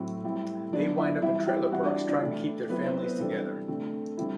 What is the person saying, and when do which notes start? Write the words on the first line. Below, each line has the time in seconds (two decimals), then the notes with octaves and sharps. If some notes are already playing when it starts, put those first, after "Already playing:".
They wind up in trailer parks trying to keep their families together.
Already playing: A2 F#3 C4 E4
0.24 A2 G3 C4 E4
0.73 F#3 B3 D4 D5
0.98 E4 E5
1.22 E3 G3 C4 E4 E5
1.46 G4 G5
1.71 E3 G3 C4 E4 F#4 F#5
1.83 D4 D5
2.09 D4 D5
2.21 C3 E3 A3 E4
2.69 F#3 B3 C4 E4 B4
2.86 C4 C5
3.02 B3 B4
3.18 C3 E3 G3 D4 A4
3.68 D3 A3 C4
4.17 D3 G3 C4 E4